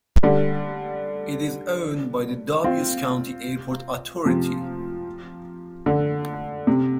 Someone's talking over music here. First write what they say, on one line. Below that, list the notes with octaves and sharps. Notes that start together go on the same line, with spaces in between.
It is owned by the Dubois County Airport Authority.
D3 G3
C4 F4
C3 F3
D3
C3